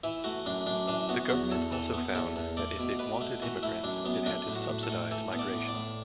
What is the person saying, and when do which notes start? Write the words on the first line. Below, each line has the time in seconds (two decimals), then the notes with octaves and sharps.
The government also found that if it wanted immigrants it had to subsidise migration.
0.04 E3 E4
0.24 A3 F#4
0.46 F#2 D4
0.66 F#2 D4
0.87 E3 D4
1.09 B3 F#4
1.30 E2 F#4
1.51 E2 A4
1.72 E3 A4
1.94 B3
2.15 E2 A4
2.36 E2
2.57 A3 D5
2.79 B2
2.99 B2 B4
3.21 A3
3.42 E3 F#4
3.63 A3 E4
3.84 F#2 D4
4.05 F#2 B3
4.26 A3 D4
4.48 A2
4.55 F#4
4.69 A2
4.83 A4
4.90 A3
5.11 E3 A4
5.33 B3
5.39 D5
5.53 A2
5.68 D5
5.75 A2